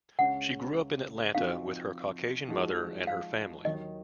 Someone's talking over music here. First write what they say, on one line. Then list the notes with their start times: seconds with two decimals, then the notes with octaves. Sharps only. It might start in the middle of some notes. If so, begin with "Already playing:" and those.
She grew up in Atlanta with her Caucasian mother and her family.
0.18 C#2 C#3 G#3 C#4 F#5
1.35 F3 C4 D#4 F#4 F5
2.49 F3 G#3 D#4 F#4
3.07 F5
3.64 D#2 D#3 F#3 D#5